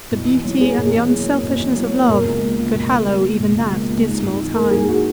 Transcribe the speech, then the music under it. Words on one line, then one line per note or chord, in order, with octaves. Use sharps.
The beauty and the unselfishness of love could hallow even that dismal time!
B2 E4
E2
F#3
A#3 G#4
B2
G#4
E2
F#3
A#3
B2
E2
F#3
A#3
B2 A#4
C#2
A#3
C#2
B2
C#2
A#3
C#2
B2
C#2
A#3
C#2
G#2
G#1
E3
A#3 A#4
G#2 G#4
F#4